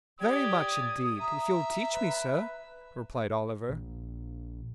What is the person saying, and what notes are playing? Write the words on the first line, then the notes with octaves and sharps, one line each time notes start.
'Very much, indeed, if you'll teach me, sir,' replied Oliver.
G4 D5 D#6 G#6
E5 A#5
B4
A#1